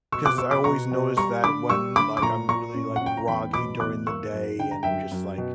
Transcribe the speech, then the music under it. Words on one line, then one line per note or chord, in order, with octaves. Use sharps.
'cause I always notice that when, like, I'm really, like, groggy during the day and I'm just, like
B2 C#6 E6
D6 F#6
B2 C#6 E6
B5 D6
B2 A#5 C#6
B2
G3 A#5 C#6
D3 B5 D6
G3 C#6 E6
D3 B5 D6
D6
A#2 A#5 C#6
A#2 A#5 C#6
C#4
F#5
C#4 G5
A#5
E2 G5 B5
B2 B5 D6
E2 D6 F#6
A#3 C#6 E6
F#2
D3 G5
A#5
F#2 E5 G5
F#2
B2